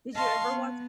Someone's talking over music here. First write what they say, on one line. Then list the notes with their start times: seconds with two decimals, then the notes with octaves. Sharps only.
Did you ever watch
0.13 D#5 F5 A5 C6 C#6
0.47 B3